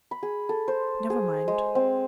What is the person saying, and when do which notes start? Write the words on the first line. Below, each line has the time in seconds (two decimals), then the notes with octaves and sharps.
Never mind.
0.11 B5
0.23 G#4
0.49 A4
0.68 C5
1.10 G#4
1.48 G#3
1.75 C4